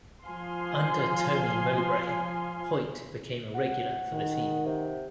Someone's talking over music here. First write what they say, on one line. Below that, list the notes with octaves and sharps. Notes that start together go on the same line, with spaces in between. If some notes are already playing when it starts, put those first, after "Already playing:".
Under Tony Mowbray, Hoyte became a regular for the team.
F3 F5 G#5 C6
F#4
D#3
C3